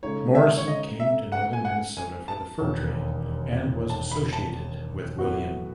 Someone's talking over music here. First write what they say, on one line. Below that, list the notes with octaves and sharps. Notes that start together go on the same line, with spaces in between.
Morrison came to northern Minnesota for the fur trade and was associated with William.
C#3 G#3 D#4 A4 C#5
E5
C#5
D#5
E5
F#5
G#5
F#5
G#5
A5
E1 D#2 D#3
A5
B5
A5
A2 F#3 B3 F#4